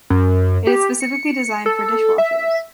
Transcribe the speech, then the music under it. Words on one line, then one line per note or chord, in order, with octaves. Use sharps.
It is specially designed for dishwashers.
F#2
G4
C#7
A4
E5